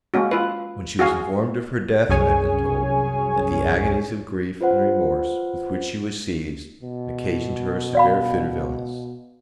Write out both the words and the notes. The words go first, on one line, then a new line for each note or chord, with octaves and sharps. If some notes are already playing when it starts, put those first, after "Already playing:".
When she was informed of her death, I have been told, that the agonies of grief and remorse, with which she was seized, occasioned her a severe fit of illness.
G#3 A#3 C#4 F#4
F4 B4
F#4 G#4 F5 G#5
C2 F#2 C#4 G#4 C#5 G#5
F4 B4 C5 F#5
B2
D5 F5 B5